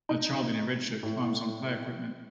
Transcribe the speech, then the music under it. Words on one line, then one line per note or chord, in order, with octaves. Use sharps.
A child in a red shirt climbs on play equipment.
D#4
A2